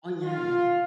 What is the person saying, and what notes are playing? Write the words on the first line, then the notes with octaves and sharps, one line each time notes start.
Oh, yeah, yeah.
F4